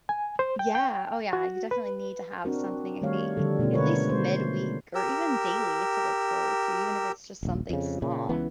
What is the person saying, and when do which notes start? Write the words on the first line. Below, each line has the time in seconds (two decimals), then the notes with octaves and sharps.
Yeah. Oh, yeah, you definitely need to have something, I think. At least midweek, or even daily to look forward to, even if it's just something small.
0.09 G#5
0.39 C5
0.59 G5
0.75 G5
1.33 F#4
1.71 B4
2.45 C4 D4 F#4 A#4
3.02 D#3 G3 A3 C#5 F5
3.37 D3 F3 G3 A4
3.59 B2 A3 B3 C#4 F4
3.74 D3 G#3 F#4 A#4 B4 C#5
4.09 A3 B4 C5
4.95 G4 A#4 E6
7.43 D#1 A#1
7.70 F2 C#3
8.02 A#2 C#3
8.29 C#2 C#3 E3 B3